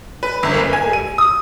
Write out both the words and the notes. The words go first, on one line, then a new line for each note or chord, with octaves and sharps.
it is.
B4
G1
F#1
G#5
D#7
D#6